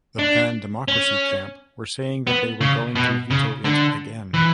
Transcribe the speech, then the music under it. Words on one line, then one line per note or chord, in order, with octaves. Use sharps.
The pan-democracy camp were saying they were going to veto it again.
D4
C#4
B3
C#3
B2
C#3
D3
E3